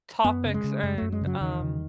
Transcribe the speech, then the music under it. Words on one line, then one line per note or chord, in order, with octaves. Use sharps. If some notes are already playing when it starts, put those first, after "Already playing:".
topics and um
F#2 B3
C#3
G#3
C#3
F#2 G#3
F#2 A3
G#3
C#3
F#3
E2 D#3
C#3